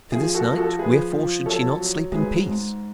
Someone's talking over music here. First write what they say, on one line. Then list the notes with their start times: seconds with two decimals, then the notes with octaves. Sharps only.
For this night, wherefore should she not sleep in peace?
0.12 F3 G#4
0.34 F#4 A4
0.46 F3
0.57 F#4 A4
0.79 F3 G#4 B4
1.13 F3
1.46 F#3 A4 C#5
1.79 F#3
2.12 G#2 G#4 B4
2.46 G#2